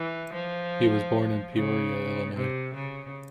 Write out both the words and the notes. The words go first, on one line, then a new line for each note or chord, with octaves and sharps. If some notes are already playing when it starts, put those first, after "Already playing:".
He was born in Peoria, Illinois.
Already playing: E3
F3
C#3
C3
C#3